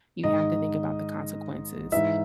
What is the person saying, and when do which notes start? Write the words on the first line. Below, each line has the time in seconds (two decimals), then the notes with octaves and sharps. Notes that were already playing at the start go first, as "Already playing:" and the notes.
you have to think about the consequences,
0.23 G#2 D#3 D#5
1.92 G#2 E3 E5